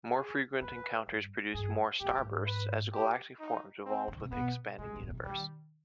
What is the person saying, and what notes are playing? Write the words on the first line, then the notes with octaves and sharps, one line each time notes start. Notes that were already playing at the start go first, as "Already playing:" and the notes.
More frequent encounters produced more starbursts as galactic forms evolved with the expanding universe.
G#4
F2 B4
G2
G2 G#4
G#2 G4
G2
G#2
B4
G4
D#4
C4
D3
C3
B2 B3
C3 G#3
G#2
B2
C3
D3
D#3 G3